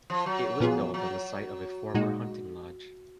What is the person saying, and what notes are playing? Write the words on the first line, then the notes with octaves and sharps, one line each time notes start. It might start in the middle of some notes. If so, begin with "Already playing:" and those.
It was built on the site of a former hunting lodge.
F3
F#3
A#2 F3 B3 F4 G#4
F#3
A#2 G#3 D#4 F#4